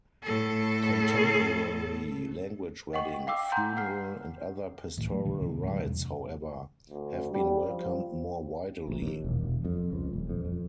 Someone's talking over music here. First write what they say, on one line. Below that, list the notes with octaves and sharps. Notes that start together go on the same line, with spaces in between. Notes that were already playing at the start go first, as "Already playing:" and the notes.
Contemporary-language wedding, funeral, and other pastoral rites, however, have been welcomed more widely.
A2 A4
D#5 F#5 G5 C#6
F5 G5 D6 E6
F#5 G#5 A#5 C6 G6
F#5 F6 C7
C#2 A2 D#3
E3 F#3 G3 A3
B1 A#2 D3 E3
D#2 C#3
A2 D3 F#3 G#3
E2 C3 D4
D2
G3
F3
A#1
D#2
E1
E1
F2
C#2
D#1
F2
F2